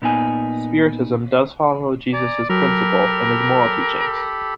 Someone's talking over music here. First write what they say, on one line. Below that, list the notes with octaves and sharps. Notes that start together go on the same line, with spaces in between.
Spiritism does follow Jesus's principal and his moral teachings.
A#2 B3 D#4 G#5
D5 G#5 A#5
F#3 G4 A4 A#4 B5